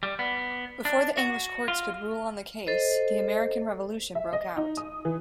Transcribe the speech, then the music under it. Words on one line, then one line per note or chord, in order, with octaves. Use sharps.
Before the English courts could rule on the case, the American Revolution broke out.
G3
B3
D4
F#4
F4
A4 C5 D#5
E5
D#5
D#4
D#6
E3